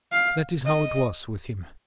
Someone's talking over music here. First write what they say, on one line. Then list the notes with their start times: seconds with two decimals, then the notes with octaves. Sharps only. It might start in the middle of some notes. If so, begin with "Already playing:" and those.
That is how it was with him.
0.12 F5
0.66 D#5